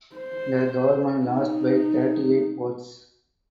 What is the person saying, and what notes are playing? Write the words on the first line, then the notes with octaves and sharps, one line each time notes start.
The government lost by thirty eight votes.
C5
D#4